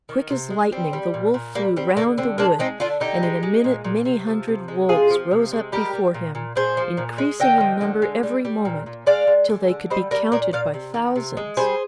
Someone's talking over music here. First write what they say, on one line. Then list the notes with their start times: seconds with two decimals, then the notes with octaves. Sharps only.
Quick as lightning the wolf flew round the wood, and in a minute many hundred wolves rose up before him, increasing in number every moment, till they could be counted by thousands.
0.09 D#3
0.30 C3
0.50 G#3
0.72 G3 C4
0.93 G3
1.14 A#2
1.34 A#2
1.55 G3 A#3
1.76 G3 C4
1.97 D3 A#3
2.18 D3 C4
2.38 G#3 A#3 D4
2.59 G#3 C4 D#4
2.80 D3 D4 F4
3.00 D3 D#4 G4
3.23 G#3
3.43 G#3
3.64 A#2
3.84 A#2
4.05 C3
4.27 F3
4.48 C3
4.68 G#3
4.89 C3 F4 G#4
5.10 F3
5.31 C3
5.52 G#3
5.72 G3 G4 A#4
5.93 G3
6.14 A#2
6.35 A#2
6.56 A#2 G#4 C5
6.77 F3
6.97 A#2
7.18 G#3
7.40 D3 D#5 G5
7.60 F3
7.81 D3
8.02 G#3
8.23 G3
8.45 G3
8.65 A#2
8.86 A#2
9.06 G#3 D5 F5
9.27 G#3
9.48 D3
9.69 D3
9.90 G3 C5 D#5
10.11 G3 A#4 D5
10.32 A#2 A#4 D5
10.53 A#2 D5 F5
10.74 C3
10.94 D#3
11.16 C3
11.37 G#3
11.57 G3 G#4 C5